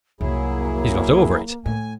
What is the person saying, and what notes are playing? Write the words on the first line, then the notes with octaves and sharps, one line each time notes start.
He's got over it.
C2 F2 F#3 A#3 E4 G#4
A2 G#5